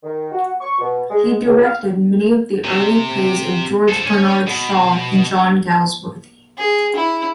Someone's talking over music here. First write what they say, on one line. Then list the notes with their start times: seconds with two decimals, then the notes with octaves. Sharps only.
He directed many of the early plays of George Bernard Shaw and John Galsworthy.
0.03 D#3
0.32 F#4
0.60 C#6
0.79 B2
1.10 G#3
1.45 C#2
1.62 F5
2.64 C3
3.89 A4 C5
4.05 C#4
4.47 B2
6.58 G#4
6.96 E4